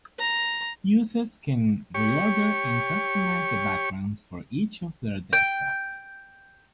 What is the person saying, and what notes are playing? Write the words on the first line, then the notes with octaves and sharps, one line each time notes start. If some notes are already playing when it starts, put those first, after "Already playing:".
Users can reorder and customize the background for each of their desktops.
A#5
G4 C#5 C#6
G5